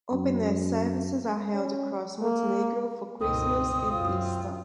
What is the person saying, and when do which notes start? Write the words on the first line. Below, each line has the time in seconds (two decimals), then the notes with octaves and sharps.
Open-air services are held across Montenegro for Christmas and Easter.
0.12 F#2
1.53 C#4
2.22 A#3
3.21 C#2 G2 B2 C4 D#4 A#4 D#6
3.92 F#2 F4